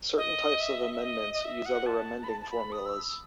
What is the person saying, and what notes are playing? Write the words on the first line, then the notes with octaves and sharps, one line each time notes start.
Certain types of amendments use other amending formulas.
D#5
E5
E5
D#5
D#5
E5
F#5
A5
B5
A5
A5
B5
D#6
E6